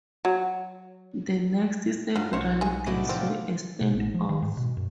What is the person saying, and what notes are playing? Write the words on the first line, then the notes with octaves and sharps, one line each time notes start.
The next several days were a standoff.
F#3
G2 F#3 F4
B1 F#3 D#4 C5 C#5 C#7
G#3 G#4
A2 C3 D4 E4 F#4 D#5
F3 C4
B2
A1
F3
D#3
G#2
B2
F#2